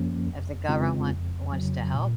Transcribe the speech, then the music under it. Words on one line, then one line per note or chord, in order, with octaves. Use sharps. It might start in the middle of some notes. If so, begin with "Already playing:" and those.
If the govern want wants to help,
Already playing: F#2 F3 A#3 C#4
F2
C#3 G#3 C4 F4
F2
C#3 F#3
A#2